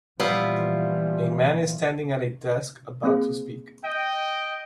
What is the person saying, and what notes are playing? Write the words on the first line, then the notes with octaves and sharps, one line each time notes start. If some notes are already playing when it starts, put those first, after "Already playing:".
A man is standing at a desk about to speak.
A#2 E3 F3 G3 B3 E4 F4
A#3 C4 G#4
D#5 G5